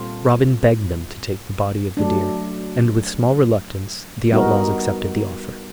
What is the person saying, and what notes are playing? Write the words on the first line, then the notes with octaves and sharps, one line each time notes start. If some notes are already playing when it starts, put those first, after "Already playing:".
Robin begged them to take the body of the deer, and, with small reluctance, the outlaws accepted the offer.
Already playing: A#2 G3 C4 F4 A4
F#3 A3 D4
G3 B3 D#4 F#4 A#4